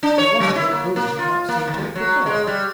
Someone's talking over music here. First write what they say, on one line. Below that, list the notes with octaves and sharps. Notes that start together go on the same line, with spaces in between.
I wonder your groom has not seen to it before.
D4
C#5
F#3
E4
A#3
A#3
F4
A#3
D#2
F#3
G#3
G3